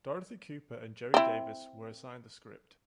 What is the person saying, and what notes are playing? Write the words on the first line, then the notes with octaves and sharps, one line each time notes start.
Dorothy Cooper and Jerry Davis were assigned the script.
C4 E4